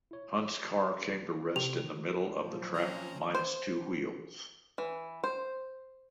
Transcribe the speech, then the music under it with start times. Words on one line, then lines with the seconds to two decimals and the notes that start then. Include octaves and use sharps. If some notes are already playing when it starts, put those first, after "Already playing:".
Hunt's car came to rest in the middle of the track, minus two wheels.
0.11 E4 C#5
1.56 C3 G4 F7
1.84 D#3
2.36 A#2 D#3 F3 F#3
2.74 C4 C#4 A#5
3.35 C5
4.78 E3
5.24 C5